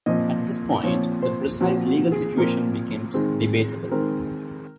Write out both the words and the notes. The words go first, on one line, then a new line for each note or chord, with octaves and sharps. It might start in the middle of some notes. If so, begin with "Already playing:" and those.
At this point, the precise legal situation becomes debatable.
A#2 F3 C4 D#5
A#2 F3 C4 C#5
C5
A#2 F3 C4 F#4
F#4
G#4
A#2 F3 C4 A#4
D#3 G#3 C4
D#3 G#3 C4 A#4